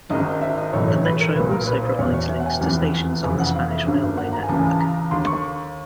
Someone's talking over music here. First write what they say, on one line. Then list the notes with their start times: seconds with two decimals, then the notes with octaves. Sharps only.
The metro also provides links to stations on the Spanish railway network.
0.10 G#1 G#2 D#3 D#5
0.41 E5
0.58 D#5
0.73 B1 A2 E3 C#5
0.88 C#5
1.04 B4
1.20 A#4
1.35 B1 B4
1.40 A#2
1.51 A#4
1.67 B4
1.82 C5
1.93 D5
1.98 E1 E2 B2 C#5
2.14 C#5
2.30 E5
2.40 F#5
2.46 G#5
2.50 G5
2.61 F1 E2 C3 E3
3.23 F1 F2 C#3 E3 G#5
3.40 F#5
3.55 F5
3.70 E5
3.86 G#1 G2 D3
4.18 F#5
4.33 A#5
4.43 G#5
4.49 C#2 C#3 E3 A5
4.59 G#5
4.69 A5
4.80 A#5
5.11 D#2 D3 C6
5.27 C#6